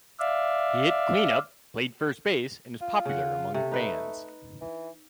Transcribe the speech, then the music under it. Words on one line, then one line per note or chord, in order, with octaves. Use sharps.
He hit cleanup, played first base and was popular among fans.
D5 E5 F5
F4
C#3 F#5
C3 A3
D#4 B4
E3